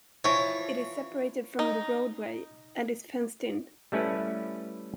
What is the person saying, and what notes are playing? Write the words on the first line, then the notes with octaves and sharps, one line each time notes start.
It is separated from the roadway and is fenced in.
E3 F3 C#5
D#4
G3 A3 C#4 E4 B4